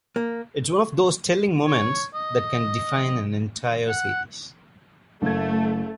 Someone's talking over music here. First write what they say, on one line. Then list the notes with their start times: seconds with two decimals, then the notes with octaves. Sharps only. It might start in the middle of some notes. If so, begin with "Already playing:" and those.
It's one of those telling moments that can define an entire series.
0.16 A#3
1.67 C#5
2.14 D#5
3.88 F#5
5.22 F#1 A3 G#6